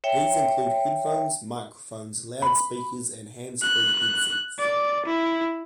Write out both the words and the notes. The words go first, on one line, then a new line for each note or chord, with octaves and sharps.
These include headphones, microphones, loudspeakers, and handsfree headsets.
C#5 E5 G5
B5
F#6
D5
E4